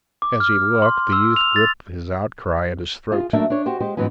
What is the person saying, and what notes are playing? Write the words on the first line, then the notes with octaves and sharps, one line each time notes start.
As he looked the youth gripped his outcry at his throat.
D6
F6
C6
E6
F7
A6
F4 G#4
F#3 A3 A#3 D4 A#4 E5
D4 C#5
F#4 G4 C5
G#3 G4 C5
G#2 E3 F#3 B3 C#4